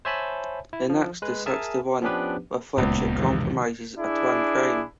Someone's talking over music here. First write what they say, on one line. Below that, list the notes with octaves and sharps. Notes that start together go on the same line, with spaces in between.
The next is sixty-one, with which it comprises a twin prime.
C5 C#5 E5 G#5 A5 B5
E4
F3
G#3 B4
G#4 A#4 E5 G#5 A5
F3 B3 C#4 D4 G4 B4
D1 C#2 A#2 B3
B1 E2 G#2 C3 D#3 F3
D4 E4 G#4